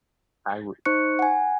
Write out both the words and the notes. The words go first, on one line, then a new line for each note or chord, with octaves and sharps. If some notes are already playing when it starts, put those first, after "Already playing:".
I would
D#4 C5 C#6 F#6 C#7
F#5 G#5